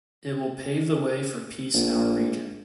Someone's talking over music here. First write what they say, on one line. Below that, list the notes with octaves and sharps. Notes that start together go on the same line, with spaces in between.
It will pave the way for peace in our region.
A#1